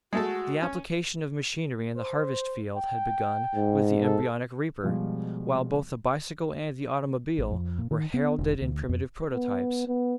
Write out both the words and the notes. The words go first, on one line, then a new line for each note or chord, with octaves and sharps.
The application of machinery in the harvest-field had begun with the embryonic reaper, while both the bicycle and the automobile were heralded in primitive prototypes.
G#3 A3 F#4 A4
C#4
C5
G5
G#2
A4
B2 F3 G3 G#3 F4
A1
F2
A#2
D#3
B3
E1
D2
F2
B3
B3